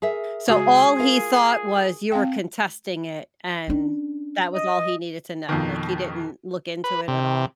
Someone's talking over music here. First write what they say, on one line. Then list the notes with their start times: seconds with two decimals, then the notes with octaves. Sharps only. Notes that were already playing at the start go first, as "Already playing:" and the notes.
So, all he thought was you were contesting it, and that was all he needed to know, like, he didn't look into it at all?
0.02 G#4 A#4 E5
0.49 C#3 G#3 F#4 G#4
0.99 F4 A#4 F5
2.12 C4 F5 G5
3.68 C#4 D4
4.54 D#5
5.49 F2 B2 D#3
6.84 B4
7.08 C3